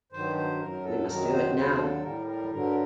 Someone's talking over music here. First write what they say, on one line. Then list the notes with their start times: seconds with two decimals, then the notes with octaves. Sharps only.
We must do it now.
0.12 G2 D#3 F#3 C5
0.36 C5
0.59 F#2 F#3 A#4
0.84 A4
1.08 F#2 D#3 F#3 A#4
1.31 C5
1.55 D#2 D3 F#3 C5
1.79 A4
2.03 A2 G3 A#4
2.27 A#4
2.51 G2 D3 F#3 A#4